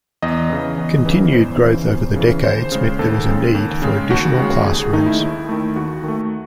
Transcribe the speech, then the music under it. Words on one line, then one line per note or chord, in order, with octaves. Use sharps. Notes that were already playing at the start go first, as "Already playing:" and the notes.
Continued growth over the decades meant there was a need for additional classrooms.
E2 D#5
C#3 E3
E2
C#3 E3
E2 C5
C#3 E3
E2
C#3 E3
D#2 C5
C#3 G#3
D#2 A4
C#3 G#3
D#2
C#3 G#3
D#2 F#4
C#3 G#3
D#2 G#4
G#4
D#3 A3 D#4
E4
D#2
D#3 A3
D#2 F#4
D#3 A3